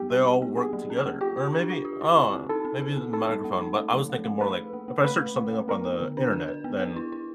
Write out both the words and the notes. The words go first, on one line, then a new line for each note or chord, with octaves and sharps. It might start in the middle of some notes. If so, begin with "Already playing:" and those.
they all work together or maybe, oh, maybe the microphone, but I was thinking more like if I search something up on the Internet, then
Already playing: B3 G4
G3
B3
B3
A#3 G#4
F#3
C#4
A#3
F4 G4
F4
D4
F4
G4
E4
C4
C4
D#4 A4
C4
G#4
C4
D#4 A4
G3
A#3
D#4
A3
F3
A3
A3
G#4 B4
G#4
A#3
A#3
A3 B4
A3
A3
A3
B3 A#4
B3
D3
D4
B4
B4
B3
B4
E4
E4